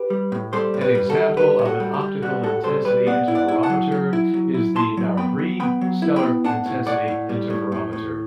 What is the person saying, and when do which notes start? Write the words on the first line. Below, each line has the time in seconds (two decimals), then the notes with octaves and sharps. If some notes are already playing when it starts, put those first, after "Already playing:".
An example of an optical intensity interferometer is the Narrabri Stellar Intensity Interferometer.
Already playing: G4 B4
0.10 G3
0.32 A2
0.53 G3 A4 C5
0.74 A2
0.81 G4 B4
0.95 G3
1.09 F#4 A4
1.17 G3
1.37 G3 G4 B4
1.59 A2
1.65 F#4 A4
1.80 G3
1.94 G4
2.01 G3
2.22 G3 F#4
2.43 A2 F#4 A4
2.64 G3 A4 C5
2.85 G3 G4 B4
3.06 B3 D5 F#5
3.28 E4
3.35 D5 F#5
3.48 E4
3.63 F#5 A5
3.70 F#3
3.92 F#3
4.13 E4
4.34 F#3
4.54 E4
4.75 E4 A5 C6
4.97 F#3
5.17 B3 G5 B5
5.39 F#3
5.60 B3 G5 B5
5.81 F#3
6.02 E4
6.16 G5 B5
6.23 B3
6.44 D4 F#5 A5
6.66 A2
6.87 A2 D5 F#5
7.08 A2
7.29 G3
7.50 A2
7.72 A2
7.93 A2